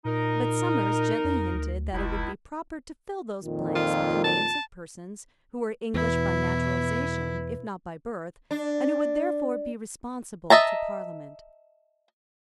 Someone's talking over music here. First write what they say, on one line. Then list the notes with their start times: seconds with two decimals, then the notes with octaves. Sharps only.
But Somers gently hinted that it would be proper to fill those blanks with the names of persons who were English by naturalisation, if not by birth, and who would therefore be responsible to Parliament.
0.05 A#2 D#4 A#4
1.24 F2
1.54 D2
1.93 F1 C#2 E4
3.44 F2 A#2 D#3
3.75 F4
4.24 A5
5.94 E2 B2 E4 B4
8.51 D4
10.50 D#5 E5 A5 A#5